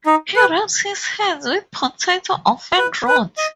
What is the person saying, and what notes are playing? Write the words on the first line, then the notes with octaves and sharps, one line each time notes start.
He rubs his hands with potato or fern root.
D#4
B4
B4
B4
D#5